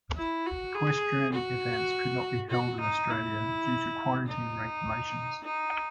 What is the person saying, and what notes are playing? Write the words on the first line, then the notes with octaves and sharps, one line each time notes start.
Equestrian events could not be held in Australia due to quarantine regulations.
E4
F#4
G#4
F#4
F#4
D#4
E4
D#4
D#4